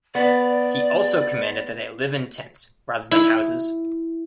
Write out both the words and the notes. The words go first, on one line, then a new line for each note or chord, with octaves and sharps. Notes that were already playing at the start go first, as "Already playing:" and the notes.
He also commanded that they live in tents, rather than houses.
B3 D5
E4